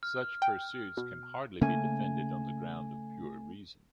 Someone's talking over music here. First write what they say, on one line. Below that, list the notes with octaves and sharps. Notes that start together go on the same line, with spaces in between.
Such pursuits can hardly be defended on the ground of pure reason.
F6
G5
B2
C#3 A3 A#3 C#4 G#5